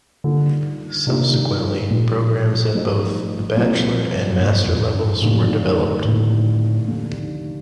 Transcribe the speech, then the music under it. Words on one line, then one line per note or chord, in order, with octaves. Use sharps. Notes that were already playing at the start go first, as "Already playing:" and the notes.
Subsequently, programs at both the Bachelor and Master levels were developed.
G2 D3 D#3 A#3 D4 F4
G2 C3 D#3 A#3 D4 F4
G2 A#2 F3 A3 D#4
G2 F3 A3 D#4
C2 A#2 F3 A#3 F4
C2 G2 A#2 F3 A#3 F4
F2
G2
F1 D#2 A2 D3 A3
F1 D#2 A2 D3 A3
F1 D#2 D3